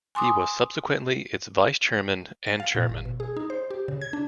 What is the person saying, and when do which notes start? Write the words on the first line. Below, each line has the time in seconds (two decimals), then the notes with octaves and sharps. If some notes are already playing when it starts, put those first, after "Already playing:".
He was subsequently its Vice-Chairman and Chairman.
0.15 G#5 C6 D6 D#6
2.47 A6
2.60 F5
2.75 A#2
2.89 G1
3.05 B2
3.20 G#4
3.37 D#4
3.50 C5
3.71 G4
3.88 C#3
4.01 G#6
4.13 D4